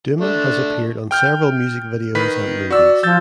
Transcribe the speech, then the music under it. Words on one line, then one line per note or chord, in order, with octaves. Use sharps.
Duma has appeared on several music videos and movies.
A3 D4
G5 F6 G6
D#3 B4 B6
F#4 D5 E6
F3 E6 G6 A6